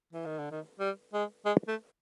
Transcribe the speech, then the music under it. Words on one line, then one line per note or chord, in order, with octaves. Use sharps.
Almost all the inhabitants of the capital followed him.
E3
D#3
D3
D#3
G3
G#3
G#3
A3